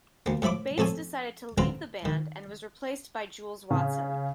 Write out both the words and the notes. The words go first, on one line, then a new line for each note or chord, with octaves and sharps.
Bates decided to leave the band and was replaced by Jules Watson.
D2 A#3
A2 F3 E5 B5 D6
F2 A3 A4 C#5 G#5
D3 C4 F4 B4 A#5
D#3
C#3